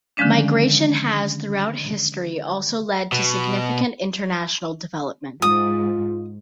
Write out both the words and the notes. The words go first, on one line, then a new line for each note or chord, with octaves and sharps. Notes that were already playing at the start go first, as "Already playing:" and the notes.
Migration has throughout history also led to significant international development.
D3 D#3 F3 G#3 C#4 D4
B2
G#2 F4 D#6